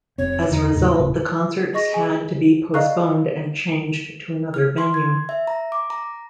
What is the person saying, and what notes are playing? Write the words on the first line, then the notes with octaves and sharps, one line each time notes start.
As a result, the concerts had to be postponed and changed to another venue.
F1 C3 C4 C#5
E2 D3 D#3 D#4
D#2 A2 C#3
D#1 A2 C#3
G#4 D#5 C#6 A#6
G#4 G#5
D5 D#5 F5 A#5 C#6 F#6
F6
C6
G#6
E5
A#5
D6
A#5